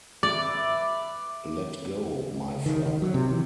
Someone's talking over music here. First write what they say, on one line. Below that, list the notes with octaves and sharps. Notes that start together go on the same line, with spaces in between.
Let go my frock!
B4 D5 E5 D6
D#3
D#3
F#3
C3
E3